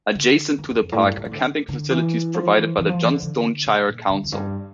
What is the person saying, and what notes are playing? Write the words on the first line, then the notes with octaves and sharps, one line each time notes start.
Adjacent to the park are camping facilities provided by the Johnstone Shire Council.
D3
E2
E2
F2
A2
G2
A2
E3
D3
D3
E3
F3
E3
E3
F3
E3
D3
D3
A#2
A#2
D3
F2
G2